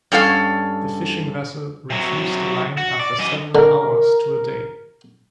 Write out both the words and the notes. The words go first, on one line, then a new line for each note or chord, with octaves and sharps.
The fishing vessel retrieves the line after several hours to a day.
G2 C#4 A4 F5
C3 F#3
F#4
D5
F#2 D#5
D3 A#4